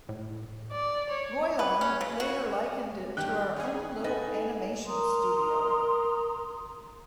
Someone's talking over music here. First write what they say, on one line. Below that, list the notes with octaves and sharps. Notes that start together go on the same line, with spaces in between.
Roiland later likened it to our own little animation studio.
A2
D5
C#5
B4
C#4
C#3
F#4
G2 D#3 G4 G5 F#6
C#4 G#4
D#4 A4 B4 G#5
A#4 A#5 C6 D#6